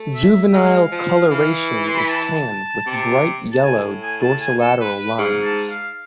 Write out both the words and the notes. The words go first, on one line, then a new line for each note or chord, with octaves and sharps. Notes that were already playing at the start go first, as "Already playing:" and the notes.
Juvenile coloration is tan with bright yellow dorsolateral lines.
Already playing: A3
E5
G#3 F5
F3
E3
C6
B5
A5
C3
A5
A2 G#5
G#5
A5
G#5
A4
B4
B4
G#2 F5
A5
F5